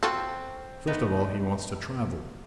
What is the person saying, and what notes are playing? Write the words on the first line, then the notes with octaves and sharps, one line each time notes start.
First of all he wants to travel.
C4 F4 F#4 A4
A3 B3 D#4